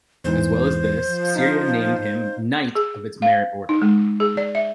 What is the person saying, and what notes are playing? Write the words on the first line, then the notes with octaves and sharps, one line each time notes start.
As well as this, Syria named him Knight of its Merit Order.
E2 G#2 E3 C5
F3
D#4 F5
G#4
F5
D#4
G#3
G#4
D5
E5